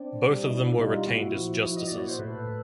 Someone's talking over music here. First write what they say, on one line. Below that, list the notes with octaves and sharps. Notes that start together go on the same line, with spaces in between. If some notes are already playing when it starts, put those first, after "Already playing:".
Both of them were retained as justices.
Already playing: C4 D4
G3
D#4
B2 D4 E4
G3 D#4 F4
F4
A#2 E4 F#4
F3
F3 E4 F#4
D#5
A#2 D5
C#5
C5
A2 A4 B4